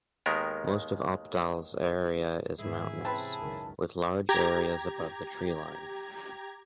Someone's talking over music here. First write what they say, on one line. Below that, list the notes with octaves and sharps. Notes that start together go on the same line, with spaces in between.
Most of Oppdal's area is mountainous, with large areas above the treeline.
D#2 D#3 G#3 B3 A#4
G#2 D#3 E3 E4 G#4
C3 C4 C#4 B4 A5 B5
C#2 F#2 D#3
G4 A#5 G#6